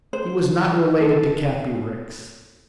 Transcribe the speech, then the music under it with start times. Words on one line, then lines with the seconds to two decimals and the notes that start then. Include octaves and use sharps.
He was not related to Cappy Ricks.
0.13 C5
1.00 A4